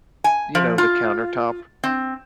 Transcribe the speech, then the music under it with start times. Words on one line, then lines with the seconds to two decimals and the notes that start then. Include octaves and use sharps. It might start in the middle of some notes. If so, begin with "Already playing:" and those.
you know, the countertop
0.24 G#5
0.55 F3
0.78 F4
1.84 C4